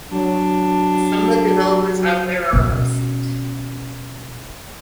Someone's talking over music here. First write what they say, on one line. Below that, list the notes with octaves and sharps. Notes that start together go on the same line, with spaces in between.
Some of the developers out there are upset.
F#3 D4
B2 C#4